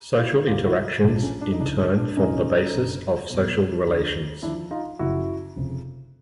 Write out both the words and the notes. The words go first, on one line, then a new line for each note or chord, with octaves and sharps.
Social interactions in turn form the basis of social relations.
F4
E4 F#4
D2 C3 D#3 F4 G4
E4 F#4
A#1 G#2 F3 D4
D4
C#4
D4
D#4
C#2 C#3 E3 D4
D4
D4
D4
C2 A#2 F3 C#4 D#4
F#1 F#2 D3
E2 B2
D2 D3 F3
D#2 D3 F3 D4 E4
D#4 F4
F#1 F#2 C#3 F3 E4 F#4
F1 F2 C#3